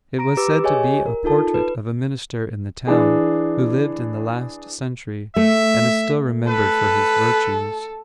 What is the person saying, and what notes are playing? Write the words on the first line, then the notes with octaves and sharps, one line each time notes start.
It was said to be a portrait of a minister in the town, who lived in the last century, and is still remembered for his virtues.
A#5 A#6 D7
G4 B4 D6 E6
G4 G#4 C#5 D#5 G#5
A#4
D#4 F4 A4 A5
B4
E3 D4 G#4
A3 E5
A4 B4